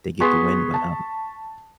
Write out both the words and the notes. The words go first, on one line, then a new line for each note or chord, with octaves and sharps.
they get the win. But, um,
B3 G#4 C6 C#6 B6
A5